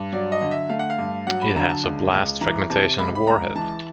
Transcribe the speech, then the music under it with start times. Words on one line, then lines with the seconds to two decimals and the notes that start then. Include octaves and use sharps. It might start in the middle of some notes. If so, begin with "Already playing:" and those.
It has a blast-fragmentation warhead.
Already playing: G2
0.13 F#3 D5
0.32 D#5
0.42 D3
0.51 E5
0.69 A3 F5
0.79 F#5
0.90 F5
0.99 G2
1.27 F#3 F#5
1.41 B5
1.56 D3 A#5
1.69 A5
1.84 C#2
2.13 C#2
2.41 E3 A#5
2.70 C3 A5
2.98 C#2 B5
3.15 B5
3.27 C#2 A#5
3.55 E3 A5